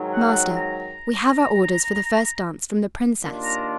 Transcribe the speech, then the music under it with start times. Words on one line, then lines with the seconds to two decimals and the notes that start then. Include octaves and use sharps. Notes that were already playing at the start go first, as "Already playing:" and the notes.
"Master, we have our orders for the first dance from the princess."
Already playing: G#2 D#3 F#3
0.13 F#5
0.57 A#5
3.22 D#2 D#3 A#3 D4 F4
3.44 A#5